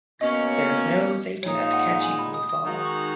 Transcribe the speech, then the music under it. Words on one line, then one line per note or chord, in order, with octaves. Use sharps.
There is no safety net to catch you when you fall.
B2 A#3 C#4 D#5
A#2 G#3 D#4 C#5
F5
F#5
F#5
G#5
B5
D#6
D#6
D#3 G#3 D#4 F#4
C#6